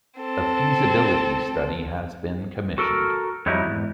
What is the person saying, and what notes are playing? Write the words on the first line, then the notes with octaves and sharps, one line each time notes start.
A feasibility study has been commissioned.
C4 A4
F#4 A4 A#4
F2 F#3 G3 D#4 E4
E2 G#2